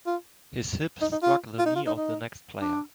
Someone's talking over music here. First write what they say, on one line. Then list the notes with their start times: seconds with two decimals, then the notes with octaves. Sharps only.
His hip struck the knee of the next player.
0.06 F4
1.02 D#4
1.12 D#4
1.23 F4
1.59 F4
1.66 D#4
1.76 F4
1.87 D#4
1.97 D#4
2.61 D4